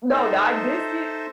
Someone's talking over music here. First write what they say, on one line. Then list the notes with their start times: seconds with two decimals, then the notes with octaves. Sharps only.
No, now I did see it
0.11 D#4 A4 C5 D#5 E5